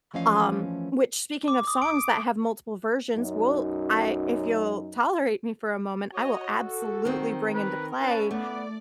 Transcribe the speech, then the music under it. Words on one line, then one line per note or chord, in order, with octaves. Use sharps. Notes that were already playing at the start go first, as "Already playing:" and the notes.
um, which speaking of songs that have multiple versions, well, I if you'll tolerate me for a moment, I will absolutely bring into play,
E3 F3 A3 C#4 D#5 F5
D6
D#6
D7
F#2 D#4
F#4 C#5 D#5
A4
D#3 C4
A#4 B4
C#4 E4 B4 A5
A3 B3 D5